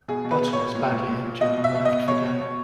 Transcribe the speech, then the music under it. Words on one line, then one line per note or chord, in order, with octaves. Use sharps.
Button is badly injured and left for dead.
B2 G#4
B2
B4
B2
C#5
B2
A#2
A#2
A#2
A#2
B2 D#5
B2
E5
B2
D#5
B2
B2 C#5
B2
B2